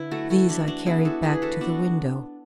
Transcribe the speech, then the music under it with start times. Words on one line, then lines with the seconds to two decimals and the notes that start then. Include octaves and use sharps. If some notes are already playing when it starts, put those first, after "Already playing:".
These I carried back to the window.
Already playing: D3 E4 B4
0.11 F#3 A3 F#4 A4
0.30 F#4 A4
0.49 E3 D4 F#4
0.68 D4 F#4
0.86 B3 E4 G#4
1.05 F#4 A4
1.23 E3 G#4 B4
1.42 F#4 A4
1.60 B3 D4 F#4